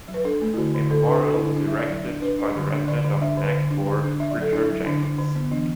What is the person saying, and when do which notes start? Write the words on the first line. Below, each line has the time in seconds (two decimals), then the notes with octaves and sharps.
A memorial was erected by the Resident of Nagpur, Richard Jenkins.
0.08 F#3
0.14 B4
0.24 D4 A4
0.41 A3
0.54 E4
0.57 D3 F#4
0.75 D3
0.90 D3 A4
1.07 D4 B4
1.24 D4 A4
1.34 E4
1.40 D3
1.45 D4
1.56 D4 E4
1.68 E5
1.73 D4 D5
1.90 F#3 D5
2.06 D4
2.22 D4 B4
2.38 D4 B4
2.55 D3
2.72 D4
2.88 D3 D5
3.05 D3
3.21 D4 E5
3.37 D3
3.43 B4
3.54 D3
3.70 D4
3.87 D3
4.04 D4
4.20 D4 E5
4.31 D5
4.36 F#3
4.42 A4
4.53 D4 E4
4.70 F#3
4.86 D3 D4
5.02 D4
5.19 D3
5.35 B3
5.51 E3 D4